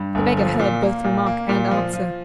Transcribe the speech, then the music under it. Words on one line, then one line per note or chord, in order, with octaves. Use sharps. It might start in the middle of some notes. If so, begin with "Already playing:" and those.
The beggar heard both remark and answer.
Already playing: G2
G1
F3
A#2
A#3
A#2
A#3
A#2
F3
F3